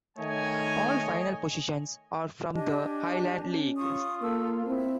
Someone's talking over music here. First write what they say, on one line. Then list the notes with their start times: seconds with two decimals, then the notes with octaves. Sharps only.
All final positions are from the Highland League.
0.18 D#3 A3 C#5 D#5 G#5
2.54 D4 G4 D#5 G#5
3.43 C#4
3.77 F4 C#6 D#6
4.22 A#3 A4 A5 E6
4.66 C4 E4